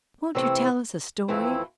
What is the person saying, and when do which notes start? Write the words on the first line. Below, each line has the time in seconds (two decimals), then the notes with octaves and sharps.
"Won't you tell us a story?"
0.35 C3 E3 A3 C4 E4
1.28 F2 E3 A3 C4 E4